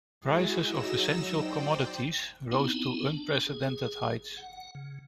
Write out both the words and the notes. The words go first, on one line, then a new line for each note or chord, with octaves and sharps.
Prices of essential commodities rose to unprecedented heights.
G#3 E4 F#4 G#4
F#3 D#4 E6 A#6 E7
C5 D5 G5
B3 C4 D#4 E4
D4
G#4
F#5
C#3